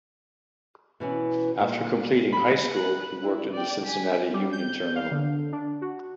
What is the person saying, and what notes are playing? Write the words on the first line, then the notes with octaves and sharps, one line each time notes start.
After completing high school he worked in the Cincinnati Union Terminal.
B2 E3 C#4
A#2
B5
B4 F#6
E4
D5 G5
G#5 B6
G3
G6
F5
D3
D4
F#4